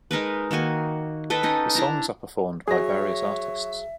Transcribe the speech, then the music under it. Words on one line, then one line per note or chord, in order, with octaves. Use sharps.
The songs are performed by various artists.
G#3 D#4 A#4 B4
D#3 A#3 F#4 G#5
A4 B4 D#5 G5
C#4 D#4 D#5
D4 E4 A#5
F#3 G#4 C#5 E5 A#6